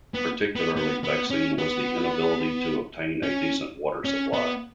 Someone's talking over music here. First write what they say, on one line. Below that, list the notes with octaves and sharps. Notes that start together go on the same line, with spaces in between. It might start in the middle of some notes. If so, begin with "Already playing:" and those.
Particularly vexing was the inability to obtain a decent water supply.
B3
B3
B3
B3
C#4
B3
C#4
C#4
B3